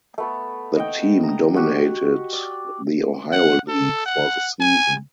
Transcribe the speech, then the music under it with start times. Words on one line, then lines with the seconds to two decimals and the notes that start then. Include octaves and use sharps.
The team dominated the Ohio League for the season.
0.18 A3 B3 A4
0.75 D#5 F#5 G5
1.23 A#5
1.56 F#4 G4
2.33 D5
3.32 F#5
3.68 A4
4.06 F#5
4.60 G#5